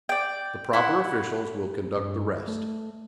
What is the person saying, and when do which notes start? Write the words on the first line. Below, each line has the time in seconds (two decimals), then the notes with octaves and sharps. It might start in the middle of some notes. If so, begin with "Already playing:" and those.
The proper officials will conduct the rest....
0.09 D5 G5
0.73 E4 F#5
1.97 G2
2.47 A3